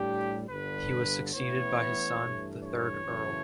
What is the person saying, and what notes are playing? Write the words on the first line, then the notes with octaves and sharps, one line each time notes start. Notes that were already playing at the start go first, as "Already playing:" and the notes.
He was succeeded by his son, the third Earl.
Already playing: A2 G3 D4 G4
G1 G2 D3 B4
A1 A2 E3 B3 E4 C#5
G2 E3 A3
C#5
F#2 C#3 E3 A3